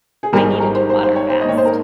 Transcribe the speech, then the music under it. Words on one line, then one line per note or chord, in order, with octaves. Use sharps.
I needed to water fast,
G#4
G#1 G#2 D#3 G3 A#4
A#4
C5
C5
C5
C#5
C5
D#5
G#2 D#3 A#3 C#5
C5
A#4